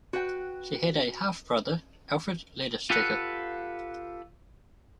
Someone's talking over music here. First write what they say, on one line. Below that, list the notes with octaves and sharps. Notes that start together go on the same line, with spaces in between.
She had a half brother Alfred Ledersteger.
F#4 B4 G5
F4 G4 A4 B4 F5 F#5